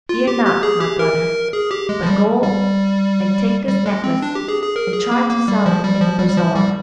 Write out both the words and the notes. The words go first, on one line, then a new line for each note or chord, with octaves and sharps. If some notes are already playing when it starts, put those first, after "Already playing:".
"Fear not, my brother, but go and take this necklace, and try to sell it in the bazaar."
F4
G4
G4
G#4
G4
A#4
G#4
G4
G#3
F3
G3
G3
G3
G#3
C4
D4
G4
G#4
G#4
A#4
G#4
A#3
A#3
G3
F3
G3
F3
G3
G3
F3
G3